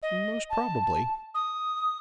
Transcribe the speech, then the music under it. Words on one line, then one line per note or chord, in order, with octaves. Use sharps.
"Most probably."
D#5
A5
D#6